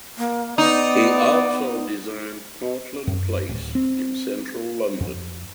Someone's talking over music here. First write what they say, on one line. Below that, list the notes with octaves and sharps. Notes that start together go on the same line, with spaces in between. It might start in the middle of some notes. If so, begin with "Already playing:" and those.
He also designed Portland Place in central London.
A#3
B3 D#4 D5
F#2
D1
C4
F2